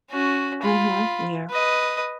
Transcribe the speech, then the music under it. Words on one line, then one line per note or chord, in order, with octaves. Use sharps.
Mhm. Yeah.
C#4 F#4
F4 B5
B4 D#5